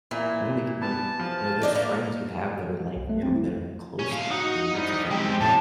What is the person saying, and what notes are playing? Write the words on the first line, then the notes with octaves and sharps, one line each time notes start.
family can be You know, there's friends you have that are like family, that are closer than you to family mem
A#2 E3
G3 B3 A5
F3
D#3 D4 D#5
A3 A#3 B4
B1
A3
C4
E4
C#4
A2 F5
D#4 F#4 D#6
G3 E4
G#3 C4 G4 G5
A2 C3 A5